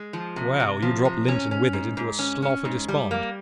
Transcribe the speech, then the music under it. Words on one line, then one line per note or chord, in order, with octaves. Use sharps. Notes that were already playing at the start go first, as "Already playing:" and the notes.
Well, you dropped Linton with it into a Slough of Despond.
Already playing: G#3
F3
C3
C3
F3
C3
C#4
C#4
G#2
G#2
C#4
C#4
G#2
G3
A#3